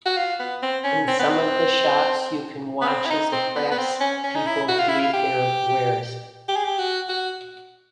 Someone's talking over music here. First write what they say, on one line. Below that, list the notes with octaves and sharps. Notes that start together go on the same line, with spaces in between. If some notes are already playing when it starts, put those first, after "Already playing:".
In some of the shops you can watch as the craftspeople create their wares.
F#4
F4
B3
C4
C#4
C4
B3
C4
B3
C4
E4
D#4
C4
B3
B3
C4
C#4
C#4
D#4
E4
F#4
F4
E4
F4
G4
G4
G#4
G4
F#4
F#4